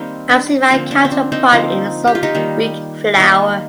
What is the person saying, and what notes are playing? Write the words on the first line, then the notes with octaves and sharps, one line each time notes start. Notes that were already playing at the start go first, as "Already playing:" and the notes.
I've seen my counterpart in some weak flower.
Already playing: D#3 G3 A#3 C4 D#4
D4
D3 F3 A#3 C4
D4
C4
D4
C4 D#4
D3 F3 A#3 C4 D#4
G4
F4
D#4 G4
D#3 G3 A#3
D#3 G3 A#3